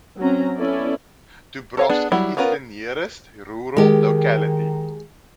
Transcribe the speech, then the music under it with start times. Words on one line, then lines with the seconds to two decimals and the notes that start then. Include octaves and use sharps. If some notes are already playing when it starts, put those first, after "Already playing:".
Dubrovsky is the nearest rural locality.
0.19 F#3 C4 C#4 A#5
0.57 B3 C#4 E4 A4 D5
1.77 A4 C#5 F5
1.89 B3 D4 G#4
2.12 F#3 G3 E4
2.37 B3 C#4 F4 A#4 B4
3.77 D#3 G#3 G4